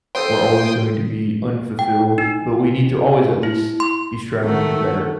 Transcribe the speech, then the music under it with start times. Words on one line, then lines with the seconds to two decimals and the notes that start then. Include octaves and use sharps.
We're always going to be unfulfilled, but we need to always at least be striving to be better,
0.15 A4 C5 G5 C6 D#6
1.79 G5
2.18 D#4
3.43 E4
3.80 C6
4.44 D#3 A3 F#4